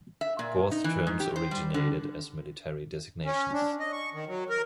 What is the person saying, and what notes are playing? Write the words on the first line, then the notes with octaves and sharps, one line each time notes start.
Both terms originated as military designations.
E5
A#2
D#4
E3
G#2
G4
C5
G3
D3
C#4
D4
D#5
C#6
D#3
F#3
A#4